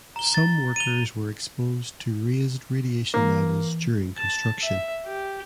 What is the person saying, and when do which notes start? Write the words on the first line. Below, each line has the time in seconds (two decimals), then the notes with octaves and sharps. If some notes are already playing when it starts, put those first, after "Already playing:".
Some workers were exposed to raised radiation levels during construction.
0.16 A#5 G7
0.34 A6
0.76 D#7 F7 G7
3.14 E3 A#3
4.17 A5
4.62 E5
5.06 G4